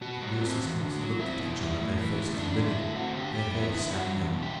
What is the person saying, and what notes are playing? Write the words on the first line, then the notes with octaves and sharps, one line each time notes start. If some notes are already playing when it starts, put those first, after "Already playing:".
All the assistants looked at each other, their faces livid, their hair standing up.
B2 F#4
G3
C4
E2
D3
F#3
C4 E4
B2
G3
A2
E3
A3
E2 D4
D3
E4
A3
C4 F#4
D3 G4
G3 G4
B3 E4
D3 E4
G3 F#4
E2
B2
G4